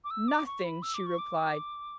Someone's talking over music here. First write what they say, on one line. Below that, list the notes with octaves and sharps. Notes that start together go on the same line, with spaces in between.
"Nothing!" she replied.
D6
E6
D6
C#6
B5
E6
D6
C#6
D6